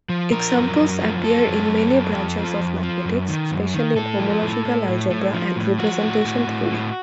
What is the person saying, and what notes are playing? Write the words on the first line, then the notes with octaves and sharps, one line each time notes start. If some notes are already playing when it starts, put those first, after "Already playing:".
Examples appear in many branches of mathematics, especially in homological algebra and representation theory.
F3
F3 A#4
F#2
F#2
F3
F#2 A4
F#2
F#2
F#2
F2
F3
F2
F3
F#2
D#3
F#2
D#3
A2 A4
F3
A2
A2
A2
A2
F3
A2
F3 F#4
A2
A2
A2
A2